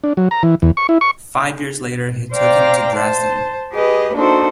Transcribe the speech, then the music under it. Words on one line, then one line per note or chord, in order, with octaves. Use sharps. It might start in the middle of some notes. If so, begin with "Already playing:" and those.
Five years later he took him to Dresden.
D4
F#3
A#5
E3
E2
C#6
E4
C#6
C5 D5 F5 G5 A#5
C5 A5
G4 G#4 B4 D#5
A#3 D4 D#4 F#4 A4 C5